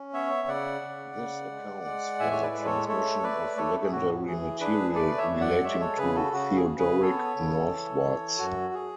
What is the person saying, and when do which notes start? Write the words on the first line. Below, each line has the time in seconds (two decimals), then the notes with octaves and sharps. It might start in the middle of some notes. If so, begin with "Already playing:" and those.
This accounts for the transmission of legendary material relating to Theodoric northwards.
Already playing: C#4
0.13 B3 C#5 E5
0.48 C#3 D5 F#5
0.82 C#3
1.16 C#3
1.51 G#3
1.85 G#3
2.19 A2 E5 G#5
2.31 C#5
2.42 B4 D5
2.55 G#3
2.65 A4 C#5
2.88 A3 A4 C#5
3.23 A3 B4 D5
3.57 A3 A4 C#5
3.83 G#4
3.92 A2 F#4
4.26 E3 G#4
4.60 D4 G#4 B4
4.94 A3 B4 D5
5.18 C#5 E5
5.29 F#2
5.40 D5 F#5
5.63 G#3 C#5 E5
5.80 A4 C#5
5.98 C#3 G#4 B4
6.15 F#4 A4
6.32 C#3 F#4
6.56 G#4
6.67 C#3
6.78 G#4 B4
7.01 B3 A4 C#5
7.36 C#3
7.71 E3
8.04 E3
8.39 F#2 F#4
8.74 G#4